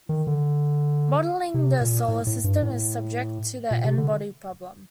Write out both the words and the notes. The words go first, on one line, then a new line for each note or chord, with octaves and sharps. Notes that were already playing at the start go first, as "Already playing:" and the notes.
Modeling the Solar System is subject to the n-body problem.
D#3
D3
C3
A#2
A2
A2
G2
A2
A#2
C3
D3